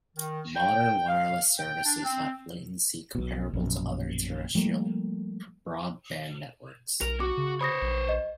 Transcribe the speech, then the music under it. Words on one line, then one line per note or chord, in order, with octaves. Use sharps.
Modern wireless services have latency comparable to other terrestrial broadband networks.
D#3
G5
F5
G5
D4
C4
B1 B2
A#1 F#2 B2
F3 G3 A3 A#3
B1 A#4 F7
F#4 D6
C#3
C5 C#5 B5 D#6 A#6
A#1
D#5